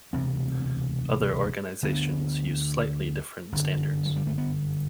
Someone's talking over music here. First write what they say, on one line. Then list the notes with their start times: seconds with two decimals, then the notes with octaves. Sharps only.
Other organizations use slightly different standards.
0.13 E1 D2 C3 C4
1.83 D2 D3 B3
3.52 G1 F#2 D3
4.06 F#3
4.16 G3
4.27 A3
4.38 B3